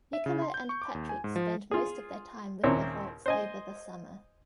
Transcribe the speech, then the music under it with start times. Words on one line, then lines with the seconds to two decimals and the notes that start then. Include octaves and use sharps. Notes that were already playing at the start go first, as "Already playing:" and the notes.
Nicola and Patrick spend most of their time with the hawks over the summer.
0.13 E5
0.26 C#3
0.42 C6
0.54 G6
0.69 C#6
0.82 D6
0.95 D#2
1.09 G#5
1.24 G#2
1.36 F3
1.71 F4 G#4
2.63 D#2 A#2 C#3 C4 E4 C#5
3.26 C5 D#5 G#5